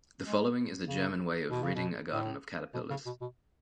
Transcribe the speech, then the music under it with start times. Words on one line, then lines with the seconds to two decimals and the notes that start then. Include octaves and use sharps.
The following is a German way of ridding a garden of caterpillars.
0.26 G#3
0.88 C#3
1.50 B2
1.63 C#3
1.75 B2
2.12 A2
2.74 B2
2.90 C#3
3.06 B2
3.21 B2